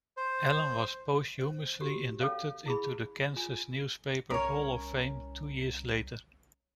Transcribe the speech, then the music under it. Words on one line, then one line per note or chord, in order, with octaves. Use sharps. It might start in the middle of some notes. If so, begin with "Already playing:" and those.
Allen was posthumously inducted into the Kansas Newspaper Hall of Fame two years later.
C5
C5
F#4 G4
C#4 A4 C#5 F5
E4 G#4 B5
F4 G#5
C2 C#4 A#4 C#5